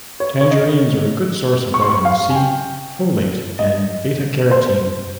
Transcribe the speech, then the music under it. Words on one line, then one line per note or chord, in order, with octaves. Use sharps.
Tangerines are a good source of vitamin C, folate, and beta-carotene.
C#5
C#5
D#5
C#6
C6
C#6
F5
G#5
G5
D#5
C5